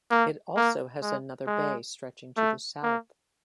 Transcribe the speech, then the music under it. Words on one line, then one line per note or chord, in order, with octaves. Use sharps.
It also has another bay stretching to the south.
A#3
A#3
G#3
G#3
A3
A#3